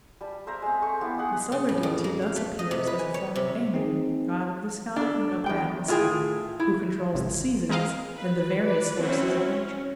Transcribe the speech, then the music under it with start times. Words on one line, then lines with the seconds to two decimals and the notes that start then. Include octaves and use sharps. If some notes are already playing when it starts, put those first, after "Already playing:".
The solar deity thus appears as a form of Anu, god of the sky and upper atmosphere, who controls the seasons and the various forces of nature.
0.21 G3 A5
0.47 A#4 C5 E5 A#5
0.62 G#3 C4
0.82 A4 C5 G#5 C#6
1.01 A#3 B3 E4 G4
1.18 D#4 G#4 F#5 C6
1.52 C#3
1.69 A2
1.83 F2
2.04 A#3
2.22 F5
2.36 A3
2.59 D#5
2.71 C3
2.87 B4
2.99 G#5
3.14 C#5
3.36 C3
3.74 C4 D#4 G#4
4.96 D4 A4
5.46 E2 G5
5.88 A2 F4 G#4 G5
6.59 E4
7.14 G#1 C3
7.69 G#3 C4 A#4 D#5 F5
8.15 B4
8.62 B4 D5
9.00 F#3 C4 C#4 E4
9.36 C#4